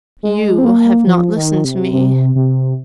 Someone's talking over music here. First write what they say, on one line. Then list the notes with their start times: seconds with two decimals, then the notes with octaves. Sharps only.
You have not listened to me.
0.23 G#3
0.58 C4
0.65 A#3
1.07 F3
1.36 D#3
1.65 C3
1.93 C3
2.35 C3